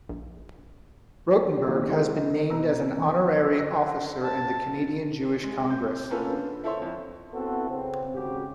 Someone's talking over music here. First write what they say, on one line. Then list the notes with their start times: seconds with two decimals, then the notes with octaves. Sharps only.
Rotenberg has been named as an honorary officer in the Canadian Jewish Congress.
0.09 A#1
1.67 A#2 D#3 E3 F#4
1.88 C3 D#3 E3 G#3 A3 C4
2.17 D#5
2.50 B2 B4 A#5 E6
2.98 E2 C#6
3.57 E6 F#6 A#6
4.24 A5
5.44 G#3
5.70 G6
6.11 A#3 B3 C#4 F4 A4 B4
6.33 D3
6.64 E4 A4 C5 C#5 E5 C6
6.82 F2
7.34 B3 C4 E4 F#4 A4
7.70 C#3 C4
8.14 G#1 C#3 F#4 G4